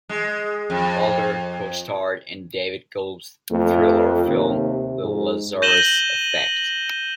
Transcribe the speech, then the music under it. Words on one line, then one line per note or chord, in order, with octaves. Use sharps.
Bolger co-starred in David Gelb's thriller film "The Lazarus Effect".
G#3
F2
F2 A3
D#2 C3
G#2
G6 A#6 D#7 E7 F#7 G7